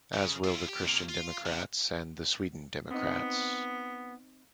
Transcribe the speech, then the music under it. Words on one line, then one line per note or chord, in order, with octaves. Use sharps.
As will the Christian Democrats and the Sweden Democrats.
C#3
E4 F4
G4
C3 A#3
F4
C3
B3 C4 D#4